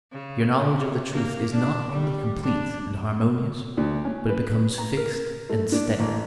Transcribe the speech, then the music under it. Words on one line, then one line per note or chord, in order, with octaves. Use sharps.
Your knowledge of the truth is not only complete and harmonious, but it becomes fixed and steady.
C#3
C3
A#3
D4
G3
D4
D2
C#4
B4
A#5
A#4
A3
D4
A1